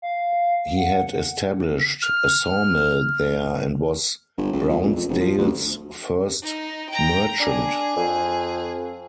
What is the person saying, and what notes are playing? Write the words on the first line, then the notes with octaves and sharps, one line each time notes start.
He had established a sawmill there and was Brownsdale's first merchant.
F5
F#5
F6
G1
C#2
F2
A#1
F2
E1
F3
D2
D#4
G5 A#5
D4 G#4
F2